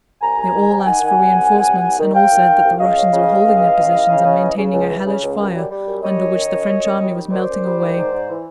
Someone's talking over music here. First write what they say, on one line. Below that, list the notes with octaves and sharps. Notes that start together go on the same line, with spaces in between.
They all asked for reinforcements and all said that the Russians were holding their positions and maintaining a hellish fire under which the French army was melting away.
C2 G#5 A#5
C2
D#3
C3
G5
D#3 F#5 G#5
D#3
C2
C2
C2
C2
C2
D#3
C3 F5 G5
C2
D#3
C2
C#2 D#5 F5
C#3
C#3
C#2
C#2
E3
C#2
E3
C#3
C#3
E3
C#3
C#2
E3
C#3
C#2
F#2
G3
G3
F#2
G3 C#5 D#5
F#2
D#3
F#2
F#2
F#2
G3
D#3
F#2 C5 D5
F#2
G3
D#3
G#2
G#2
E3